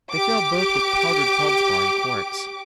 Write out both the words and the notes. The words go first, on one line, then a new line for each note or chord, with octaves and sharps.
They failed both with powdered felspar and quartz.
G4 D6